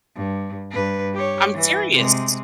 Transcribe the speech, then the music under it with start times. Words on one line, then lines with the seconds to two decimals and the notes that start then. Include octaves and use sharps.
I'm serious.
0.15 G2
0.71 G2 B4
1.14 G4 C#5
1.53 E3
1.94 C3 G#3